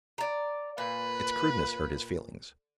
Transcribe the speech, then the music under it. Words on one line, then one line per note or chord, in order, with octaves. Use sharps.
Its crudeness hurt his feelings.
D5 A#5
A#2 B4